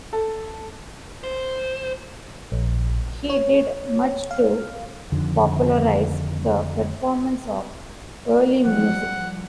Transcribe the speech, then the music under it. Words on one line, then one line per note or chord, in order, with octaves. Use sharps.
He did much to popularize the performance of early music.
A4
C5
A#1
C#5
F5
F2 D3 D#3
F3 G3 F#5